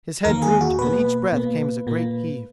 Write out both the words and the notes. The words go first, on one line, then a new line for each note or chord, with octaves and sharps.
His head drooped and each breath came as a great heave.
E2 D#3 A#3 A#4
G#4
F#4
B2 A#3 B4
B2 A#3
A#2 A#3